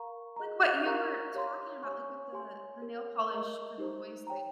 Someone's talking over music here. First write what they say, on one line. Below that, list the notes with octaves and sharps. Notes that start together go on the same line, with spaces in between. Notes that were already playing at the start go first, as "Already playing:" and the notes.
like, what you were talking about, like, with the the nail polish for the boys thing,
Already playing: A#4 F5 A#5 C#6
G#4 D#5 A#5
G4 A#4 F5 A#5 C#6
G4 C#5 F5 C6
C#5 G#5 C#6
G4 C#5 G#5 C6
G4 A#4 C#5
A#4 D#5 A#5
D#4 G4 C5
C#5 G5 A#5